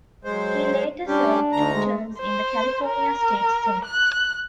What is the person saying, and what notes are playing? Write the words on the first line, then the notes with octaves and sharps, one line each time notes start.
He later served two terms in the California State Senate.
F#3 G#3 C5
G3 C#4 D4 G4
D2 A#5
G#3
C5
A#4
F#6